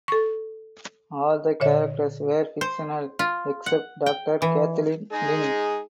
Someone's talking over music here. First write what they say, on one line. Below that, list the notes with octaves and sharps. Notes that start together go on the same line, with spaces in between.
All the characters were fictional except Dr Kathleen Lynn.
A4 C#6
A#2 D3 C#5 E5
C5
F4
F#5
G5
E3
G#3 D#4 G#4